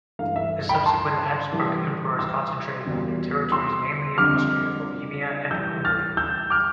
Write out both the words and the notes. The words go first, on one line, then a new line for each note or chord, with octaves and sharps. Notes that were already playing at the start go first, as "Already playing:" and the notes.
The subsequent Habsburg emperors concentrated on their territories mainly in Austria, Bohemia and Hungary.
G2 E3 A3 F5
E5
G5 B5
A5 C6
A2 E3 G3
C6 E6
E2 B2 G3
C6 E6
F2 D3 G3 D6 F6
A2 E3 G3 E6 G6
F6 A6
E6 G6
D6 F6